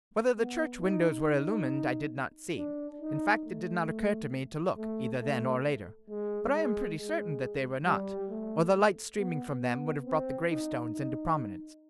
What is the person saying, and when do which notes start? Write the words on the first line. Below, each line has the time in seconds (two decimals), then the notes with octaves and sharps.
Whether the church windows were illumined I did not see--in fact, it did not occur to me to look, either then or later--but I am pretty certain that they were not, or the light streaming from them would have brought the gravestones into prominence.
0.37 B3
0.81 D#4
1.25 D#4
2.57 D4
3.02 D#4
3.45 A3
4.78 A3
5.22 A3
6.10 G#3
6.54 G#3
6.98 G#3
7.86 G3
8.30 A3
9.18 B3
9.62 B3
10.06 C4
10.50 D#4
10.94 D#4